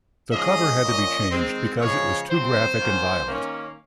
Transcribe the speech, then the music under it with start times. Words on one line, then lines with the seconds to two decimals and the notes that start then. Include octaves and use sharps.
The cover had to be changed because it was too graphic and violent.
0.32 G#2 F3 G#3 C#4 D#5
0.82 A#2 F3 A#3 C#4
1.30 D#3 G#3 C4
1.80 C#3 F3 G#3 C#4 C#5
2.29 C#3 F#3 C4 C5
2.78 D#3 F#3 A#3 C#4
3.28 D#3 A#3 C#4